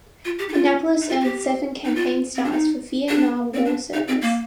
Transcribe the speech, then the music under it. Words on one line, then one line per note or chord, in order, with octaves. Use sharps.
"Annapolis" earned seven campaign stars for Vietnam War service.
F4
G4
D#4
F4
D#4
F4
F4
G4
D#4
F4
C4
D4
D#4
D4
C4
D4
D#4
C4
A#3